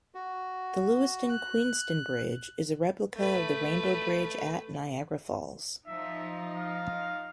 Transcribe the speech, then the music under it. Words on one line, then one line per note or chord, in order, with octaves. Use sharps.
The Lewiston-Queenston Bridge is a replica of the Rainbow Bridge at Niagara Falls.
F#4
F#6
A3 B4
F3 D#4 E5
F5